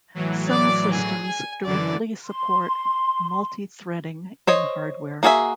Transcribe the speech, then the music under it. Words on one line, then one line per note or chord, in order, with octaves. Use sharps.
Some systems directly support multi-threading in hardware.
A2 E3 F#3
D5 D6
G#4
G#5
F#2 D3 E3 D5
C6
C5 C#5 D#5
A#3 F#4 G#4 A4 E5